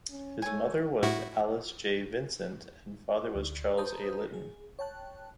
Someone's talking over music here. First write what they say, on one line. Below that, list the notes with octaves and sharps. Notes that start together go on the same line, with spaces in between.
His mother was Alice J. Vincent and father was Charles A. Litton.
C#4
A3 C#5 G#5
A2 E4 F#4
D2
B4 C5 A5 A#5 D#6 G6
G#4
C#5 G5 A5 F#6